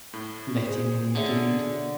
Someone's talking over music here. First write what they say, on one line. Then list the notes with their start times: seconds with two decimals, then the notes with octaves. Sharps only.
Let him in, indeed!
0.13 A2
0.67 G#4 C5
1.15 D3 G#4 C#5 E5